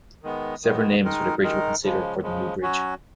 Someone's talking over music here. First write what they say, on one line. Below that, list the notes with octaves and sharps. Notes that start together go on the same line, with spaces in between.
Several names for the bridge were considered for the new bridge.
D#3 G#3 B3
D#3 G#3 B3
D#3 G#3 D#4 A#4
D#3 G#3 D#4 A#4
C#3 F3 G#3
C#3 F3 G#3
F#3 C#4 F#4 C#5